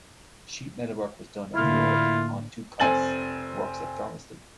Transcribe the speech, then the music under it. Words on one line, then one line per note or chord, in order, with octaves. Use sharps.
Sheet metalwork was done at the old 'en tout cas' works at Thurmaston.
A2 D3 A#3 E4 F4
F1 C4 G#5 A6 F#7